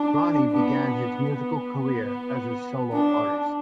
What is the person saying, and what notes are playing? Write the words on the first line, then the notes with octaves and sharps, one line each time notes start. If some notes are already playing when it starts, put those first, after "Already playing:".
Ronnie began his musical career as a solo artist.
Already playing: D4
B3
B3
D4